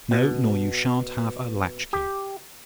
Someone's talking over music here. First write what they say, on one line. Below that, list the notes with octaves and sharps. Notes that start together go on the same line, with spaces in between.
No: nor you shan't have a latchkey.
B2
G4